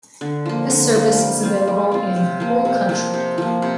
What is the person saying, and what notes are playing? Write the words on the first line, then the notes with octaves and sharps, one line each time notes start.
This service is available in whole country.
D3
F3 A#3
D3
F3 A#3
G3
C4 F4
G3
C4 F4
C3
F3 A#3
C3
F3 A#3
C3
F3 A#3
C3